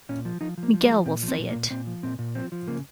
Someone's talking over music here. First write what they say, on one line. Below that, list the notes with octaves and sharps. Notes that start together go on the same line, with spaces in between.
Miguel will say it.
A#2 C#4
F3
F3 D#4
F3
A#3
F3
G#3
F3
A#2 C4
F3
C4
A#2
A#3
A#2
A#2 C4
F3
A#2 C4
A#2
F3 C4
F3
C#3 A#3